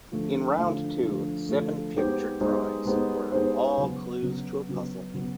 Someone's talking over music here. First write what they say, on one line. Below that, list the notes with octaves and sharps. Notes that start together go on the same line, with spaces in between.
In round two, seven picture drawings were all clues to a puzzle.
D3 F3 A3
D3 F3 A3
D3 F3 A3
D3 F3 A3
G#3 B3 D#4 G4 C5
G#3 B3 D#4 G4 C5
G#3 B3 D#4 G4 C5
G#3 B3 D#4 G4 C5
C#3 F#3 B3
C#3 F#3 B3
C#3 F#3 B3
C#3 F#3 B3